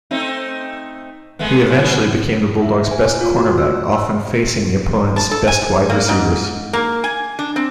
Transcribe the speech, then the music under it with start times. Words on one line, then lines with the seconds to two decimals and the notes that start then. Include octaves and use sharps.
He eventually became the Bulldogs' best cornerback, often facing the opponents' best wide receivers.
0.11 A3 C4 D#4
1.39 G#3 A3 B3
1.70 A#2 F#3 B3
2.62 E5
2.91 G#5
3.21 F4
3.37 F#4
3.58 E6
5.16 A5
5.31 A4
5.48 G#5
5.90 A#3
6.09 G#2
6.73 A#3
7.04 G#5
7.39 D4
7.56 C4